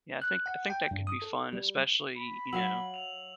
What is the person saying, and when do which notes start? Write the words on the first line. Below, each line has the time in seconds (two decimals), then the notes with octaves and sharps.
Yeah, I think I think that could be fun, especially, you know
0.22 F#6
0.46 F#5
0.70 G5
0.91 G2
1.07 D#6
1.22 A4
1.53 G3
2.17 B5
2.53 F#3 F5 E6 F#7
2.94 F7